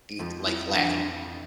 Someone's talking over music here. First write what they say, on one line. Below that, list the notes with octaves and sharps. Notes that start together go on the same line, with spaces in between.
n like, lacking.
F2 F3 F4
E4
F3 D4
E3
F2 F3